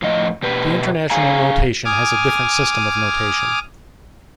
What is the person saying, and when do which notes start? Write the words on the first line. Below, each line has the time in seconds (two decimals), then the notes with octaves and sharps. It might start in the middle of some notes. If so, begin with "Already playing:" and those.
The international notation has a different system of notation.
0.02 A2 F3 D#5
0.43 B2 G4 B4
1.10 G#4 F5 G#5 A#5
1.85 G#5 D6 D#6 F6